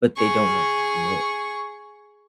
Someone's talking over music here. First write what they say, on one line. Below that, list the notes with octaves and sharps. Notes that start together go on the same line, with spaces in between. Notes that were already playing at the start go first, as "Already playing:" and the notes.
but they don't want to commit.
G#4 C#6